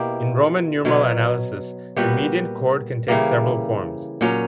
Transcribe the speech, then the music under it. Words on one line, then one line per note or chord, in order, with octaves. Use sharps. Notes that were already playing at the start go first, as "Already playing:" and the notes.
In Roman numeral analysis, the mediant chord can take several forms.
Already playing: B2 A#3 E4 G4
B2 F#3 B3
A#2 G3 B3 F#4
C#3 E3 G3 A#3
A#2 F#3 C#4